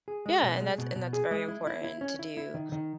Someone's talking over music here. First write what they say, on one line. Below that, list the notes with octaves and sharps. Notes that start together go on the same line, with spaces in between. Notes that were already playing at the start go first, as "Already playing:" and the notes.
Yeah, and that's and that's very important to do.
G#4
G#3
B2
G#3
B2
B2
G#4
G#3
E4
E4
E4
C#4
E4
E4
D#3
D#3